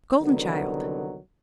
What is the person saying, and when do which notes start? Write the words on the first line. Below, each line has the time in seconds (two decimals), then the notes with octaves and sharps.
Golden child.
0.20 C2 D3 D#3 F#3 B3